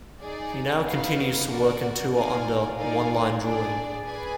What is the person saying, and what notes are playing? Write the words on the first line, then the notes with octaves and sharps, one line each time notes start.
He now continues to work and tour under onelinedrawing'.
D#4 G#4 D5
B3 D#4 F#4 B4 F5
F#4 A#4 D5 F#5
D#4 A#4 D5 F5 G#5
D#4 A#4 D5 F5 G#5
D4 G#4 D5
G#4 B4 D5 G#5